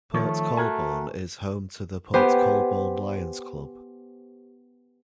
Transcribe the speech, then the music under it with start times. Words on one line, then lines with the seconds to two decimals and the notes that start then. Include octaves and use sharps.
Port Colborne is home to the Port Colborne Lions Club.
0.14 D#3 F3 A3 C#5
0.57 F#4 A#4 G#5
2.14 B3 G4 C5 G#5